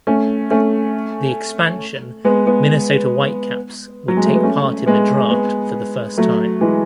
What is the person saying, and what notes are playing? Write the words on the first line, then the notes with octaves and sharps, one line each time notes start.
The expansion Minnesota Whitecaps would take part in the draft for the first time.
A3 C#4
A3 C#4
G#3 B3
G#3 B3
F#3
G#3
A3
B3
A3 C#4
G#3 B3
G#3 B3
F#3 A3
E3 G#3